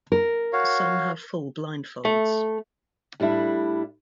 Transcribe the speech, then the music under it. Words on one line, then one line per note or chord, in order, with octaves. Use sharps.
Some have full blindfolds.
A#4
F#4 C#5 F5
A3
A2 G3 D4 E4